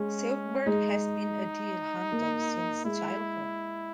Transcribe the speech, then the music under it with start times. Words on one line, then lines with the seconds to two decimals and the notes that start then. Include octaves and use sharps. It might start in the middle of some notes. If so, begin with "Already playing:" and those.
Seubert has been a deer hunter since childhood.
Already playing: G#3 C#4
0.66 G#3 D#4
2.12 A#3
2.85 G#3 E4